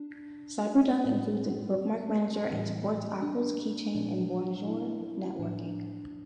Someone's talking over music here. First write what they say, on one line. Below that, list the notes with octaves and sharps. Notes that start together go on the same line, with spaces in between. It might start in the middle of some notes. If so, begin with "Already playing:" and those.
Cyberduck includes a bookmark manager and supports Apple's Keychain and Bonjour networking.
Already playing: D4
A2 G3 C4
A2 E3 G3
D4
A#2 F3 D4
E4
A2 F3 D4